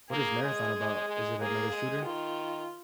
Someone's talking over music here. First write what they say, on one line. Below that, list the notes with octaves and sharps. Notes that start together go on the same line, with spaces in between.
What is Marathon about? Is it another shooter?
A#3 G#4
G#3
G#3
G#3
A#3 G#4
G#3
D#3 F4